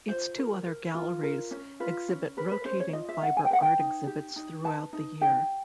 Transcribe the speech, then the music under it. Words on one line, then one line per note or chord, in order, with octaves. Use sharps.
Its two other galleries exhibit rotating fiber art exhibits throughout the year.
F4 C5
A#4
A#4
F4
A#4
C#4
F4 B4
C#4
A#4 B4
B4
C#4 C5
C#5
F4 D#5
E5
C#4 F#5
G#5
G5
B4 F#5
G5
D#4
G4
D#4
B4 A5
D#4
G4 G5